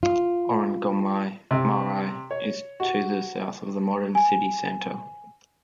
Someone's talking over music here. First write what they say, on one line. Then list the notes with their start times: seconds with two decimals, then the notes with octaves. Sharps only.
Orongomai Marae is to the south of the modern city centre.
0.03 F4
1.51 C3
2.31 C#5
2.80 F#4
4.15 G#5